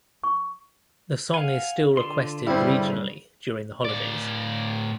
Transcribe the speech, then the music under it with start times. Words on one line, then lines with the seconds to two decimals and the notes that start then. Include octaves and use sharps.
The song is still requested regionally during the holidays.
0.24 C#6
1.34 F5 F#5 G#5
1.97 D3 F4 C6
2.47 G2 C#3 G3 C4 E4
3.85 A2 D5